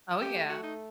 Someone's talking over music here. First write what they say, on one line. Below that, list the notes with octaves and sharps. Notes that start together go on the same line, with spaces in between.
Oh, yeah.
A3 G4
F#4
D#4